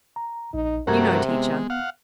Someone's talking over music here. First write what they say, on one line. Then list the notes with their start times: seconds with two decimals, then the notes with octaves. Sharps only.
You know, teacher.
0.16 A#5
0.54 A#1 D#4
0.87 G2 C3 A3 F#4 A#4 A#5 G#6
1.29 G#3 B3
1.70 F5 F#5